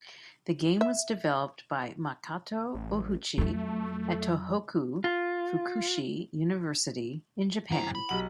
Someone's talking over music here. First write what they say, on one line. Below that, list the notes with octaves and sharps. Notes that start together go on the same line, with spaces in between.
The game was developed by Makato Ohuchi at Tohoku Fukushi University in Japan.
E5
A1
F2 F#3 A3
F4
F#2 E4 C5 F#5 A#5
B5
B1 G4 F#5 F#7